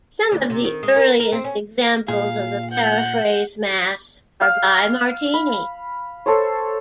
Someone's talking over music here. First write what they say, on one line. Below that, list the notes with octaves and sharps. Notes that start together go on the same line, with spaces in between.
Some of the earliest examples of the paraphrase mass are by Martini.
D2
C3
D#3
G#3
A#4
A#4
C4
C#4
A#2 G#4 F5
F#5 G6
F5
B5
A4 C5 C#5